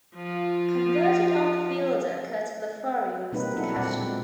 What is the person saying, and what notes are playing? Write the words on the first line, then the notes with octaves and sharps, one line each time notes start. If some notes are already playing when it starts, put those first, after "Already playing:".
Converted outfielder Curt Blefary was the catcher.
F3 F4
B2 G3 A#3 C4 D#4 B4
F#3 D4 E4 A4 F#5
A#2 C4 D5 F#5
B2 G#3